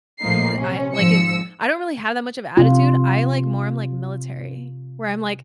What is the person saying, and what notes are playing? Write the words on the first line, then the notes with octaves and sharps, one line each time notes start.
eh, I like it I don't really have that much of attitude, I like more I'm like military, where I'm like,
A#1 A2 F3 A#3 D#4 C7
C3 C#4
G#1 F3 E6 C#7
C3 F4